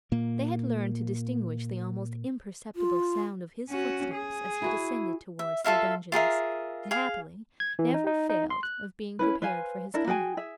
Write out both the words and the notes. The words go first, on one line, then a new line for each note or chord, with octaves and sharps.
They had learned to distinguish the almost imperceptible sound of his footsteps as he descended towards their dungeons, and happily, never failed of being prepared for his coming.
A#2 A#3
F4
C#4 F#4
G#4
E4 F#4 G#5
E5
F4 A4 E5 F5
F4 G#4 A#4 E5
G#4 F5
G#6
E3
D#4
D#4
D#4
C6
F#6
C#4 E4 B4
B4 C5 F5 G#5
D4 E4 A#4 E5
F#4 G#4 G5 G#5
G#4 E5